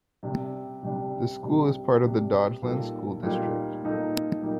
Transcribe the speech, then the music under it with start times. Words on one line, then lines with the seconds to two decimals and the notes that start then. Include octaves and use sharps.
The school is part of the Dodgeland School District.
0.23 C3 G3 D4 G4
0.83 C3 G3 D4 G4
1.43 C3 G3 D4 G4
2.03 C3 G3 D4 G4
2.62 A#2 G3 A#3 D#4 A4
3.23 A#2 G3 A#3 D#4 A4
3.83 A#2 G3 A#3 D#4 A4
4.42 A#2 G3 A#3 D#4